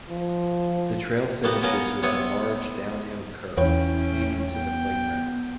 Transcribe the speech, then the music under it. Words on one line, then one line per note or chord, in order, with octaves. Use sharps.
The trail finishes with a large downhill curve, leading to the playground.
F3
A#3 B3 F#4 G4
B3 C#4 F5 A#5
C3 B3 C#5 B5 D#6
E2 C#4 E4 F4 B4 C#5 G5
B3 G5